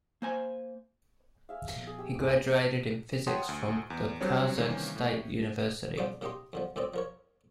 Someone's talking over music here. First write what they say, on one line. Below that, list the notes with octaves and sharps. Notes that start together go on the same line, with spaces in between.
He graduated in physics from the Kyrgyz State University.
A#3 C5 G#5
G#4 E5 F5
G1 E2 C#3
A#2 F3 B3
G#4
G4 E6
G1 C#2 A2 G#3 D6
C#5 F#5 G5 A5 C6 D#6
D2
E2
F#3 G3 C4 D4 C#5
C3 D#3 E3 G3 A#3 C#4
A2
B1 C#3 F3 D#4 D5 D6
C#3 A#3 D#4 G4 D#5 C6
E2 D3 F3
D2 A2 C4 D5 D#5
F3 A#4 C#5